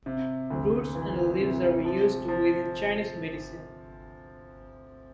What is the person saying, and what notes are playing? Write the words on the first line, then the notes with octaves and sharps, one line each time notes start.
Roots and leaves are used within Chinese medicine.
C3
D2
E3
C3
F3
F3